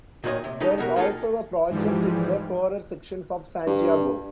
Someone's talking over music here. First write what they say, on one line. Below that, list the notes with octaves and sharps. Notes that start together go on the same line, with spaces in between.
There is also a project in the poorer sections of Santiago.
A#2 D#3 G4 A#4 C#5 D#5
C3
C#3 G#3 D#4 G4 A4 A#5
B2 G3 F#4 A#4
D#3 F4 G#4 A4
G#2 E3 F3 G3
G2